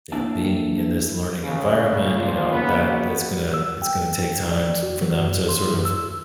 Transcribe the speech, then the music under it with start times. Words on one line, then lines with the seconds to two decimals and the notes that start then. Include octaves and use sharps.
you know, being in this learning environment, you know, that that's gonna it's gona take time t for them to sort of
0.12 A#3 D4 E4 G5 A5
1.44 C#3
1.77 D3
2.14 F2 A#2 F3 F4
2.50 C#3 A#3 B3
2.89 B3 F#4
3.54 E6
3.82 G5
4.51 D5
4.83 F#4
5.02 E3
5.19 F#2
5.49 C6
5.74 F#2
5.85 E6